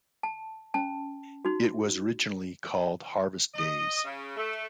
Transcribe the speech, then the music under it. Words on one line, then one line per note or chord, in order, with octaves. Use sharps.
It was originally called Harvest Days.
A5
C#4 A5
D#4 F#4
D#5
C#3
A3